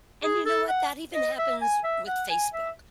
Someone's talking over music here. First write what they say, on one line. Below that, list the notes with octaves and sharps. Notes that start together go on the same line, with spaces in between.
And you know what? That even happens with Facebook,
G#4
A4
F#5
D#5
E5
G#5
E5
F#5
G#5
E5